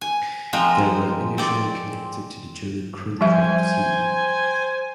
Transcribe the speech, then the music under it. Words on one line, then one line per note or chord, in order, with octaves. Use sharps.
They were initially connected to the German krautrock scene.
G#5
F3 G#3 C4 A#4
C4 D5
F3 G3 C5 E5 G5 G#5